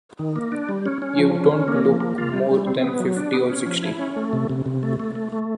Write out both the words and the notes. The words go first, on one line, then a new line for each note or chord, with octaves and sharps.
You don't look more than fifty or sixty.
D#3
A#3
D4
G3
C#4
C#4
F3
C#4
C#4
A#3
F3
A#3
F4
G3
G3
C4
B3
F#3
D4
B3
C#4
F3
E4
C#4
A3
C3
C3
C3
A3
A3
A3
A3